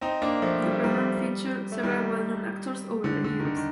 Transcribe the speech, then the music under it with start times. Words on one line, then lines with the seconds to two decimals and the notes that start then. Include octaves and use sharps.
The programme featured several well-known actors over the years.
0.01 C4 D#4
0.22 A#3 D4
0.42 F3 A3
0.62 G3
0.73 A3
0.84 D#3 G3
1.72 A3
1.83 D#3 G3
3.04 D3
3.24 D3
3.40 D#3
3.45 D3
3.56 D#3